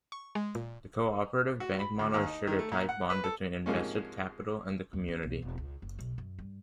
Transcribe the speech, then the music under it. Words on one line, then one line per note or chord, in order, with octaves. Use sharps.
The cooperative bank model assured a tight bond between invested capital and the community.
C#6
G#3
A#2
F#4
B5
D2
D#2
D#4
D#3
A3
A#2
F#5
B4
A4
G#2 C3 F3 G#3 A#3 C#4
D#2
C#4
B1
E1
C#2
F#1
B1
F#2
G2